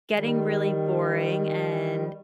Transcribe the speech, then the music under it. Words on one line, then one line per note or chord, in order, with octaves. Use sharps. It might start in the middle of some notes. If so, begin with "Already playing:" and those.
getting really boring, and
D#3 G3